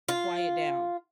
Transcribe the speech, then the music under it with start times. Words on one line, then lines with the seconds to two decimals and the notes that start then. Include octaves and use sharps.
Quiet down.
0.08 F4